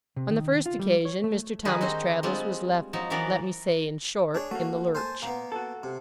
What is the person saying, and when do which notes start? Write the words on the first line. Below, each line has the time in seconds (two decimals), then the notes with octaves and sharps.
On the first occasion Mr. Thomas Traddles was left--let me say, in short, in the lurch.
0.16 C3
0.30 D#3
0.66 F4
0.79 G3
1.05 C#5
1.24 A3
1.65 D#3 G3 D#4 G#4 B4
1.81 C4 D#4 F#4 C5
2.23 G3 G#3 B3 C4 D4 F4
2.93 F3 F#3 D#4
3.10 E3 F#3 B3 A#4 D5
4.35 D4 G#4 C#5
4.51 A3 A#3 F#4
4.95 C5 G#5 A5
5.22 A#2 A#3 B3
5.52 F#4 A4
5.83 C3